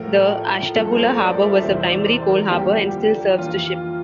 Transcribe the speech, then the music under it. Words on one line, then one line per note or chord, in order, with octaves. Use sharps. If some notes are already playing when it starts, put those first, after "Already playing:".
The Ashtabula Harbor was a primary coal harbor and still serves to ship.
Already playing: A2 F3 A3 A#4
G2 F3 A#3 A4
C5
A#4
D5
E5
E2 C3 G3 C5
D5
C5
A#4
F2 D3 G3 A#3 G4
F2 E3 A#3 F4